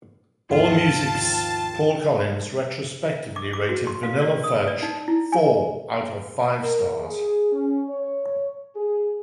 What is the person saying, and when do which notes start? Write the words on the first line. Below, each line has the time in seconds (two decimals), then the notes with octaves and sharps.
Allmusic's Paul Collins retrospectively rated "Vanilla Fudge" four out of five stars.
0.50 G#1 D#2 F3 F4 A5
3.36 D6
3.53 D6
3.69 F#4
3.87 C6
4.03 F5
4.22 D5
4.43 D#6
4.68 D5
4.82 D#4
5.08 E4
5.32 G#5
6.63 A#4
7.02 G#4
7.51 C#4
7.89 C#5
8.75 G#4